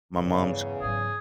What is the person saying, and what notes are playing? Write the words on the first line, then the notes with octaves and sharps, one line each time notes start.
my mom's
E2 G2 C#3
G#2 F#3 G#4